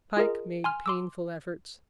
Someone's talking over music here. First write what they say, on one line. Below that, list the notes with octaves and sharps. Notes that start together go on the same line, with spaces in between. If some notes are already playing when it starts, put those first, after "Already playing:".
Pike made painful efforts.
F4 G#4 A#4 D#5
G#5 C6 F6
C6 D6 E6